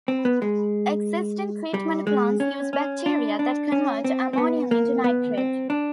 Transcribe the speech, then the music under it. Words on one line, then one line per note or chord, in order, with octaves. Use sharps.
Existing treatment plants use bacteria that convert ammonium into nitrate.
C4
B3
G#3
G3
G#3
C#4
C#4
D4
D4
C#4
C4
C4
B3
A#3
B3
C4
D4